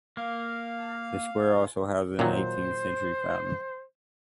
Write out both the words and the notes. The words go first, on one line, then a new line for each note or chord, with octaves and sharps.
The square also houses an eighteen century fountain.
A#3 F5
A#2 D#3 F#3 C5